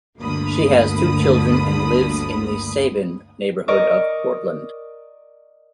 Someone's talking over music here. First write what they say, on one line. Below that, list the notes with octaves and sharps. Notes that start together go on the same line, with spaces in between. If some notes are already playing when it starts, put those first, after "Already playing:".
She has two children and lives in the Sabin neighborhood of Portland.
G1 D2 D3 A#3 B5 D#6
A#4 D5 D#5 C#6 D6